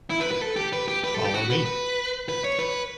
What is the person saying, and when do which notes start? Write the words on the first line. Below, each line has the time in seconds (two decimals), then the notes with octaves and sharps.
Follow me.
0.10 E4
0.20 B4
0.31 B4
0.41 A4
0.56 G4
0.73 B4
0.88 G4
1.04 B4
1.14 A4
1.25 G4
1.35 F#4
1.50 B4
1.65 B4
2.29 B4
2.44 C#5
2.59 B4